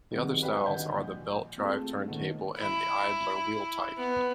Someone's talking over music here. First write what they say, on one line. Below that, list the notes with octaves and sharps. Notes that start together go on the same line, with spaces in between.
The other styles are the belt-drive turntable and the idler-wheel type.
D#3 F3 G3 G#3 B3 C4
F#4 G4 B4 F5 G5
D3 D#3 D#5 F#5 G#5 G6
A#1
A3 C4 F4 G#4 A4
D#3 A3 B3 C#4
E4
B3